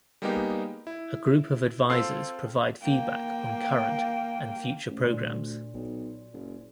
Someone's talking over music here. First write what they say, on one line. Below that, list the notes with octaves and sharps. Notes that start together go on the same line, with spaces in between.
A group of advisers provide feedback on current and future programs.
G3 G#3 A#3 B3 D#4 G4
E4
C4 F4 A4 C6 E6 C7
A#3 G5
A1
D2 A#2
B1
F#1